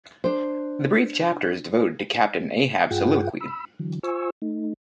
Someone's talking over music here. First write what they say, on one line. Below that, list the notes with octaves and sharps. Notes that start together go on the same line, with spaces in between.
The brief chapter is devoted to Captain Ahab's soliloquy.
D4 C5
G2 F4 G#4 F#5 G5
B5 E6
D3 E3 F#3
F4 C5 G#5 C#6 E6
A3 D#4